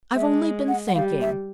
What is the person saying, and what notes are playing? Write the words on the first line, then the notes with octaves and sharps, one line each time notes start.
"I've only been thinking."
G#3 E5
F#5
F#5
G3 F5
E5